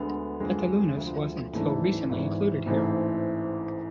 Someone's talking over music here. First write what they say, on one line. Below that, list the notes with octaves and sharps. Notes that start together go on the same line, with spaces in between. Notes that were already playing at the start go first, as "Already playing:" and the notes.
"Petulanos" was until recently included here.
Already playing: D2 D3 G#3 B3
F2 D3 G#3
D2 D3 F3
A1 G#2 E3 A3 D4
G#1 G#2 E3
A1 G#2 E3 A3 C4